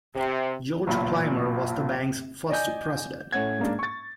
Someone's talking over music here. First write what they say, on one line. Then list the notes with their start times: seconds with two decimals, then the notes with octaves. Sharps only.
George Clymer was the bank's first president.
0.15 C3
0.87 F#1 B1 A#2 B5
2.49 D5 D#5 G#5 G6
3.32 A2 C#4 F#5 G#6
3.59 G#2 A#3 D4
3.79 C#6 A6